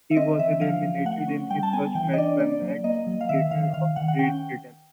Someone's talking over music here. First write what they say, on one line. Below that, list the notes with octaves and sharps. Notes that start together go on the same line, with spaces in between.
He was eliminated in his first match by Max Cater of Great Britain.
E5
C4 D#5
E3 E5
F3 F5
F3
A3 F#5
C#4
G3 G5
A5
B3 G#5
E3 G5
D#5
D4 D5
A#3 D5
F#3
A#3 D#5
F#3
F5
D#3 E5
D#3 F5
D#3 F5
D#3 F#5
F#5
C#4 G5